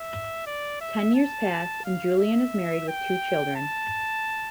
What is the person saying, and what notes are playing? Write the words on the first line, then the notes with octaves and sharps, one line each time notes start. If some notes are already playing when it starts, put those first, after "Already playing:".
Ten years pass, and Julien is married with two children.
Already playing: E5
D5
E5
A5
F5
E5
G5
A5